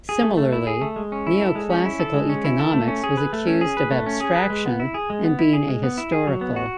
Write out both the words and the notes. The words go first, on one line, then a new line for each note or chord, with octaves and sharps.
Similarly, neoclassical economics was accused of abstraction and being ahistorical.
G#4
A3
A3
E4
G#4
A3
G#3
C#4
E4
A4
G#3
C#4
E4
A4
G#3
C#4
E4
A4
A3
C#4
G#4
B4
A3
C#4
G#4
B4
A3
C#4
G#4
B4
G#3
B3
E4
G#4
G#3
B3
E4
G#4
G#3
B3
E4
G#4
F#3
B3
F#4